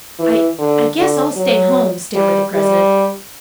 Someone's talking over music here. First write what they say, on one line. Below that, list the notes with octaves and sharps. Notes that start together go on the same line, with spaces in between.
"I--I guess I'll stay home," stammered the president.
E3
D3
D3
F#3
G3
G3